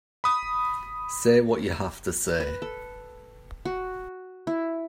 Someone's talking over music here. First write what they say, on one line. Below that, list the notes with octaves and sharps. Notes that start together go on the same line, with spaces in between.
Say what you have to say.
B5 D#6
B4
A4
F#4
E4